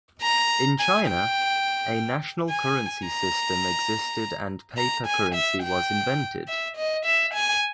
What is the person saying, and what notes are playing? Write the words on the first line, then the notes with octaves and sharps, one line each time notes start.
In China, a national currency system existed and paper currency was invented.
A#5
G#5
G5
G#5
A#5
A#5
G#5
E5
G5
E5
D#5
E5
G#5